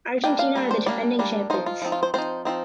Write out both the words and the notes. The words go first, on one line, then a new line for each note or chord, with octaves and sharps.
Argentina are the defending champions.
G3 A#3 D4 G5
F5
G3 A#3 D4
C5
G3 A#3 D4 D5
G3 A#3 D4
F3 C4 D#4 C5
F4
F3 C4 D#4
F4
C5
F3 C4 D#4 C5
F3 C4 D#4